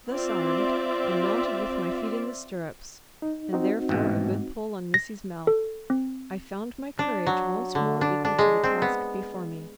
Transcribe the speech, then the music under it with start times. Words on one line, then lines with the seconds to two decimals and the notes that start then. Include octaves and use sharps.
Thus armed, and mounted with my feet in the stirrups, and therefore a good pull on Missy's mouth, I found my courage once more equal to the task before me.
0.11 C4 F4 D5 E5
3.22 D#4
3.53 C4 D#4 F#4
3.89 A1 G#2 B2
4.94 A#6
5.47 A4
5.90 C4
6.99 D4
7.27 F#3
7.75 D3
8.01 D4
8.25 D4
8.39 G#3
8.64 C4
8.82 B3